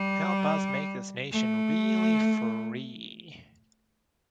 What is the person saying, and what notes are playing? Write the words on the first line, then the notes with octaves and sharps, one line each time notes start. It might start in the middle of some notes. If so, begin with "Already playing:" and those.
Help us make this nation really free.
Already playing: G3
A3